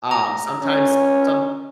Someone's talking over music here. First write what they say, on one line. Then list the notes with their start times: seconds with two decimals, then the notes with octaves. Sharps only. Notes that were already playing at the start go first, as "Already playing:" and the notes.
um, sometimes some
0.11 A#5
0.62 C#4